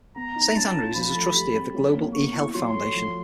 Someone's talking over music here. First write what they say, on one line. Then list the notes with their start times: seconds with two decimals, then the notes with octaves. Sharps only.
Saint Andrews is a Trustee of the Global eHealth Foundation.
0.16 B3 A#5
0.36 D#4
0.55 C#4 A5
0.76 F4
0.95 F3 B5
1.15 A3
1.34 G3
1.55 C4
1.74 F#3
1.94 A#3
2.14 B3 C#6
2.34 E4
2.55 F#3 C6
2.73 A3
2.94 F3